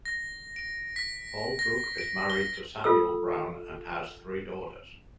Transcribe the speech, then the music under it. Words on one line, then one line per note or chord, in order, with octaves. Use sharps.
Holbrook is married to Samuel Brown and has three daughters.
A#6
D7
B6
A#6
D7
G7
F4 A4 E6